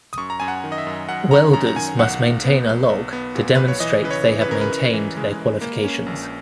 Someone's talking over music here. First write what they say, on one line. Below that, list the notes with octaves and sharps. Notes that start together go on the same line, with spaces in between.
Welders must maintain a log to demonstrate they have maintained their Qualifications.
D#6
F#2 C#6
A#5
F#2 G#5
F#5
D#3
D#5
E5
F#2
F#2 F#5
C#4 A#5
F#2 A#5
A#5
D#3 G#5
B1 F#5
B1
B3
B1
B1
B3
A#2
B1 B4
C#5
E3 D#5
C#3 B4
C#5
E3
B4
C#3 A#4
B4
C#3
E3
G#3
G#3
A#3
C#4
A#1